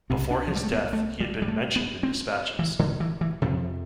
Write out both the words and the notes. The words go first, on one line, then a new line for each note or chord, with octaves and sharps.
Before his death, he had been Mentioned in Despatches.
C2 C3 C4
D4
F3
G3
A3
B3
A3
G3
G3
A3
B3
C4
E3
D3
E3
E3
F2 C3 F3